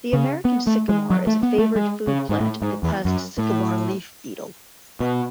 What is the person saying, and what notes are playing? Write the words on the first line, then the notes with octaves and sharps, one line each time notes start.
The American sycamore is a favored food plant of the pest sycamore leaf beetle.
C#3
B3
A3
G#3
F#3
A3
B3
A3
G#3
C#3
G#2
A2
G#2
E2
F#2
A2
B2